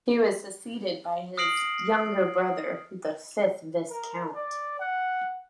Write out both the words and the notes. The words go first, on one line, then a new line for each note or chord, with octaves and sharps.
He was succeeded by his younger brother, the fifth viscount.
D#6 F6 A#6 C7 D7 F#7
A#4
D5
F#5